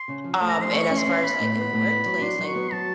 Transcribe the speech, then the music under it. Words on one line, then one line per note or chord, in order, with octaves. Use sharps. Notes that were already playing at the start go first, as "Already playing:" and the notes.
um, and as far as, like, in the workplace, like,
Already playing: C6
C#3
F3
A3
A#5
F3 C6
A3 C#6
C#4
C6
C#4
B3 B5
A2
B3
A2
B3
F#3
D4 C6
F#3
C#6
B3
F#3 A5